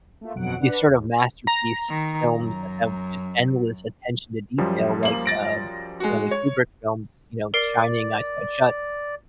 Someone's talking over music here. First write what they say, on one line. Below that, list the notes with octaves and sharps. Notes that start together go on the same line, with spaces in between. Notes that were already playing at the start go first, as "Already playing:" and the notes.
these sort of masterpiece films that have just endless attention to detail like, uh, Stanley Kubrick films, you know, The Shining, Eyes Wide Shut,
A3 A#3 F4
G1 F2 B2 F#3 F#5 D7
D4 B4 F#5
D#2
A#5
D#3
F#2
F#2 F3 G3
A#3 F#7
A6 A#6 D7
G#3 F#4
C#5
A#4 D5 C7 D7